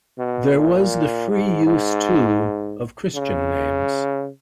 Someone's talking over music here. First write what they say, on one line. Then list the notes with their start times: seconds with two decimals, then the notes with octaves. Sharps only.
There was the free use, too, of Christian names.
0.18 B2
0.55 A#2
1.29 G#2
1.66 G#2
3.15 C#3